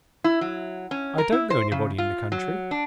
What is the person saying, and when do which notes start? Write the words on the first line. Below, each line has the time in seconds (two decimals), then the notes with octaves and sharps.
I don't know anybody in the country.'
0.24 E4
0.41 F#3
0.91 C#4
1.18 A#4
1.32 E4
1.50 C5
1.72 C#3
1.98 F4
2.32 F#3
2.71 D4